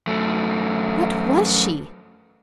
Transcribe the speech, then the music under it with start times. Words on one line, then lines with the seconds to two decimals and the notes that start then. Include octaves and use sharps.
What was she?
0.07 F#2 A3